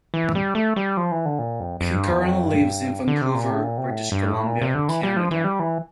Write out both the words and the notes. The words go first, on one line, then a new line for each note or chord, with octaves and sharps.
He currently lives in Vancouver, British Columbia, Canada.
E3
G3
A3
G3
F3
E3
D3
A#2
F2
F2
G2
E2
F2
G2
D3
C3
A#2
A2
A#2
C3
A2
G2
A2
A#2
C3
D3
E3
G3
F3
E3
G3
E3